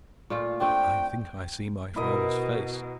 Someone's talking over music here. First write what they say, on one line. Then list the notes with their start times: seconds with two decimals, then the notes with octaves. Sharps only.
I think I see my father's face!
0.30 A#2 A3 F4
0.60 A3 C4 D4 G5
1.96 B2 E4 A#4 D#5